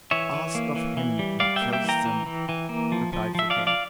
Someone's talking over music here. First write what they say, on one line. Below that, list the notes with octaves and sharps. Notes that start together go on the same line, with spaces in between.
"Ask of him who kills them," replied Fouquet.
E3 C#5 E5
E3
A#3
E3
E3
G3
G3 D5 F5
E5 G5
A#3
E5 G5
E3 G5 A#5
E3
E3
E3
A#3
F3
F3
F3 E5
D5 F5
F3
D5 F5